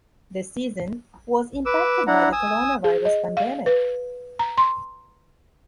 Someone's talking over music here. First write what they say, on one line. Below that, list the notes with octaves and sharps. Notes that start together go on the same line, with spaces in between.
The season was impacted by the coronavirus pandemic.
B4 D6 E6
D4 E4 F#5 A#5
G#5 D#6 E6
G#4
D#5
F5
B4
A#5
C6